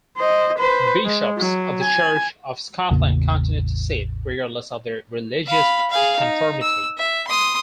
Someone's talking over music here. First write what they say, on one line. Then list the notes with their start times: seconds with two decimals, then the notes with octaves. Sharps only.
Bishops of the Church of Scotland continued to sit, regardless of their religious conformity.
0.17 C5 D#5
0.58 B4 C5
1.04 G#3
1.38 F#3
1.82 G#5
2.91 A1 E2 C#3 A#3
5.47 F5 B5
5.90 G#4 F5
6.19 D#4
6.62 E6
6.98 E5
7.27 C6 D#6